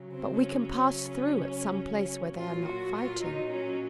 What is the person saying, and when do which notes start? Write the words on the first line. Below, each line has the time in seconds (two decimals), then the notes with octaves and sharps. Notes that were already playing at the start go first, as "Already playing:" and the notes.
"But we can pass through at some place where they are not fighting."
Already playing: C#3 F#3
0.13 C4
0.40 C#4
2.38 A#2 F#3 F4
2.66 F#4
2.94 F4
3.21 D#4
3.50 C#4